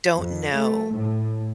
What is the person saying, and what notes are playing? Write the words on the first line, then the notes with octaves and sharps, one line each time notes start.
don't know
F2
A3
A2